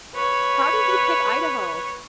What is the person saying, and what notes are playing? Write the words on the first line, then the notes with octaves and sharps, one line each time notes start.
How did you pick Idaho?
B4 C#5